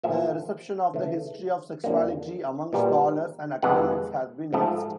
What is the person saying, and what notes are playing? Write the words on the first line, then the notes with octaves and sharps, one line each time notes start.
The reception of "The History of Sexuality" among scholars and academics has been mixed.
A#2 F3 A3 E5
C#3 E3 A3
F2 D3 F#3 A#3
A#2 G3 B3
F2 C3 E3 G#3 B3 F#5
G#2 F3 A3